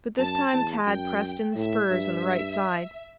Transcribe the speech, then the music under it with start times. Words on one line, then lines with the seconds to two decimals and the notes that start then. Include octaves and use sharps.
But this time Tad pressed in the spurs on the right side.
0.18 F#2 A5
0.53 E2
0.86 F#2 G5
1.55 A2 E5
1.90 G2